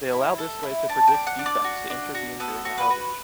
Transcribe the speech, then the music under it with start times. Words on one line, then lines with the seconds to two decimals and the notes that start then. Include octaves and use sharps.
They allow this way to predict defects to intervene during a outage.
0.13 E4
0.38 A4
0.63 E4
0.89 D4 A5
1.08 G5
1.14 D4
1.27 F#5
1.39 D4
1.46 D5
1.64 F#4
1.90 D4
2.15 F#4
2.40 B3 A4
2.65 F#4
2.78 B4
2.90 F#4